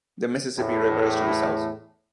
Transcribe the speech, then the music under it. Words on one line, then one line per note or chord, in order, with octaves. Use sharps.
The Mississippi River is to the south.
E2 A2